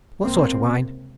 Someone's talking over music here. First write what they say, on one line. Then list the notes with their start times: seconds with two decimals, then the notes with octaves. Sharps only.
"What sort of wine?"
0.24 C#2 C3 A#3 C4